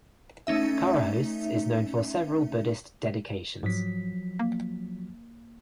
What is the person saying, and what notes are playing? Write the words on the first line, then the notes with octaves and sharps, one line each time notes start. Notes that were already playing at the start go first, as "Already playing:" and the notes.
Kharahostes is known for several Buddhist dedications.
A3 C#4 D#4 E5
G#2 F3 F#3 B6
A#3